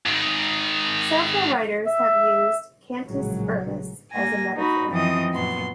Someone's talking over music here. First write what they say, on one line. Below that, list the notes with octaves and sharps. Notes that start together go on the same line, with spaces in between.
Several writers have used "cantus firmus" as a metaphor.
G#2 D#3
E5
A#1 A2 C#3 F#3 G#3
A#3 G#5 A#6
D#4 F#4 B5
F#2 E3 F3 C4 D#5 D#6
F#2 A#2 B3 C6